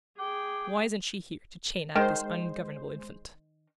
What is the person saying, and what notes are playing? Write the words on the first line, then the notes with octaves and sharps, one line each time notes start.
"Why isn't she here to chain up this ungovernable infant?"
G#4 G5 D6
D#3 G#3 C5